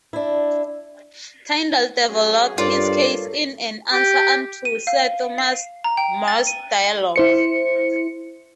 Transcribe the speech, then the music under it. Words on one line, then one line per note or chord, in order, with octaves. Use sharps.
Tyndale developed his case in "An Answer unto Sir Thomas More's Dialogue".
D4 E4
F#3 C#4 G#4
G2 F4 A4 A#4 C#5 D5
G4
D#7
F5
C7
A#5
G5
A6
D#7
E4 C5 C#7